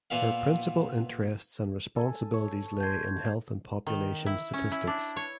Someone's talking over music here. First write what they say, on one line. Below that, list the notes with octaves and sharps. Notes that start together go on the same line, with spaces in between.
Her principal interests and responsibilities lay in health and population statistics.
A#2 B3 E5 F5
A4 G#5
C#5
A5 C6 G6 G#6
D#3
E4
C#4
E4
D4
C#5